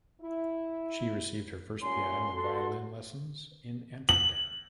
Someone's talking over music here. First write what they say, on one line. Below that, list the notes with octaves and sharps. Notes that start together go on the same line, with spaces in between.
She received her first piano and violin lessons in Amsterdam.
E4
A#2 G3 C#4 C6
F#4 A4
F#7